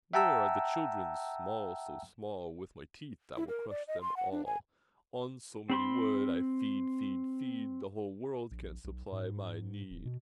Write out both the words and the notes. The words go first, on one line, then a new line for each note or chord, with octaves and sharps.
"Where are the children small, so small, With my teeth I will crush them all, On so many would I feed, feed, feed. The whole world can't supply my need."
E5 F#5 G5 A5 A#5 E6
E4
A#4
D5
D#5
C6
F#5
D4
G#5
C4 B5 C6
A#1
B1
G#2
D1
B2